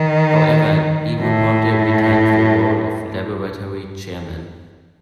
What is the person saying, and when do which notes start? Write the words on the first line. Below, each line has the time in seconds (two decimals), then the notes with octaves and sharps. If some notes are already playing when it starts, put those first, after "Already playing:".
However, Negroponte retained the role of laboratory Chairman.
Already playing: D#3
1.19 A2